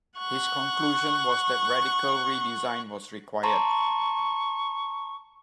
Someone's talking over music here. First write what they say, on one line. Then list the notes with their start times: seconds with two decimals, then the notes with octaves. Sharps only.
His conclusion was that radical re-design was required.
0.19 F#5 C#6
3.43 A5 A#5 C6 C#6